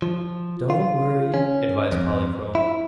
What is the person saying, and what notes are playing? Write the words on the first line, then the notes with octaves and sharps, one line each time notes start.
"Don't worry," advised Polychrome.
F3
F4
C#4
F2
E4